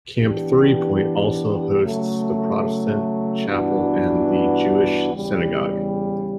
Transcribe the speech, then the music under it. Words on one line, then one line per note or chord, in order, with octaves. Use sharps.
Camp Three Point also hosts the Protestant Chapel and the Jewish Synagogue.
E3 B3 D4 G4
C#3 F#3 A3
G2 E3 B3 D4 F#4
E2 C#3 G3